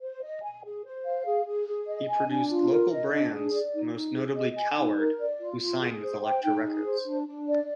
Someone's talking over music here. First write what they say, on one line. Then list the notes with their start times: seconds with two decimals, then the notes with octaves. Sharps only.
He produced local bands, most notably Coward, who signed with Elektra Records.
0.01 C5
0.22 D#5
0.42 G#5
0.63 G#4
0.84 C5
1.05 F5
1.25 G#4
1.46 G#4
1.67 G#4
1.87 D#5
2.08 G#5
2.29 D4
2.50 F4
2.70 A#4
2.91 D#5
3.12 D4
3.33 G#4
3.53 D5
3.73 D#4
3.94 D#4
4.15 G#4
4.36 D#5
4.57 G#5
4.77 D#4
4.98 A#4
5.19 D5
5.40 F4
5.60 F4
5.81 G#4
6.02 C5
6.23 G5
6.44 D#4
6.64 G#4
6.85 C5
7.06 D4
7.27 D4
7.47 D5